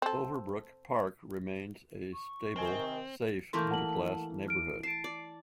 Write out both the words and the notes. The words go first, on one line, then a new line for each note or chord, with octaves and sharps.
Overbrook Park remains a stable, safe middle-class neighborhood.
C4 A4
C#6
C3 D#3 C4 A#4 G5 G#5
E3 A3 A#3 C6 C#6 G6
F#5 A5 F#7
F6 D7
A5 C7 D7
D5